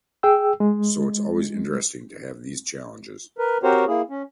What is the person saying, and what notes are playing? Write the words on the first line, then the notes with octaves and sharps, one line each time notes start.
So it’s always interesting to have these challenges!
G#4 G5 E6
G#3
A#4 B4
C4 F#4 G4 A#4 C5 C#5
A#3 E4 G#4
C#4